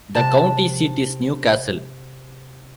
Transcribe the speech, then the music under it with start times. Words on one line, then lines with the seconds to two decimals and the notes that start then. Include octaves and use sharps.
The county seat is New Castle.
0.15 C3 A5